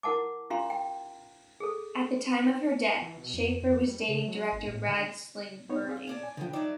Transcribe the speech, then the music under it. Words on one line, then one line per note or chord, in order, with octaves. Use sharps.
At the time of her death, Schaeffer was dating director Brad Silberling.
E4 A#4 F#5 A5 D6
C#4 F4 G4 F5 A#5 C6
G5
G#4 A4
E3
B2
F2
F2
G3
C#3
F#3
G#1
A2
D3
B3 D#4 C#5
C4 G#4 F5
C#4 D5 A5
G#5
B2 D3 F3 G5
F#3 A3 D#4 D5